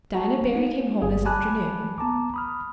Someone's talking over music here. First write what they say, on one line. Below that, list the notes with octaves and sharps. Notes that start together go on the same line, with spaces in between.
Diana Barry came home this afternoon.
F#4 F#5 A5
D#4
G1 G#4 F5
G#5 A5 B5 D6 F#6
B3 A5 A#5 D6
B5 D#6 F6